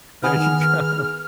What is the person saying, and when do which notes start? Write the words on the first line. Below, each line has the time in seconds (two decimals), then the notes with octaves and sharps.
There you go.
0.23 D#3 B3 G#4 F6